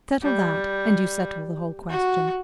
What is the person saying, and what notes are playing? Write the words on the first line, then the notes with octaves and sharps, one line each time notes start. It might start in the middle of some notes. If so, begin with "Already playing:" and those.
Settle that, and you settle the whole question.
G3
F#4